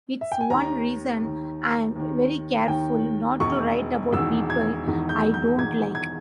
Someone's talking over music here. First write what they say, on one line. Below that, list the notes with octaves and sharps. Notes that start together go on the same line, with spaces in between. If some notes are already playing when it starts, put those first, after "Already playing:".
It's one reason I'm very careful not to write about people I don't like.
E5
G5
G#5
D#2 D#3 A#5
D#2 D#3
D#2 D#3
D#2 D#3 G5
E1 E2 D#3 C#6
E1 E2 D#3 E6
G#6
E1 E2 D#3
G6
G6
E1 E2 D#3 G#6
G#6